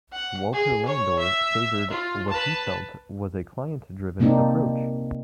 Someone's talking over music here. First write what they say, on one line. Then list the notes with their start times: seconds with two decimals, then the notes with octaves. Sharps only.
Walter Landor favored what he felt was a client-driven approach.
0.11 F#5
0.53 G#4
0.85 C#5
1.19 E5
1.90 F4
2.29 B4 A5
4.20 C3 A#3 C4 D4 D#4